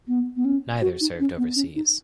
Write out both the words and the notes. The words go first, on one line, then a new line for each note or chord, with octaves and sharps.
Neither served overseas.
B3
B3
C#4
F#4
D#4
C#4
B3
C#4
D#4